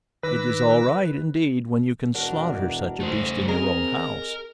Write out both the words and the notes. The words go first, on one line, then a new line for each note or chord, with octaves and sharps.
It is all right indeed when you can slaughter such a beast in your own house.
D#3 B4 D6 E6 A#6
E1 D4 F#4 A#4
D#1 A3 C5
C4 G#4 A#4 D#5 A#5